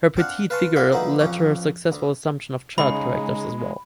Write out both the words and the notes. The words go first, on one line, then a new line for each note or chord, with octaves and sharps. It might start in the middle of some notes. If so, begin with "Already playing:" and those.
Her petite figure led to her successful assumption of child characters as well.
C4 D4 F5 F#5
B4 F5 G#5 A5 C6 C#6
F4 D5 F5 F#5 B5
D3 F3 A#3 B3 D#4 E4
A1 F2 F3 C#4 C#5 D6
D2
C#3 G#3 D#4 B5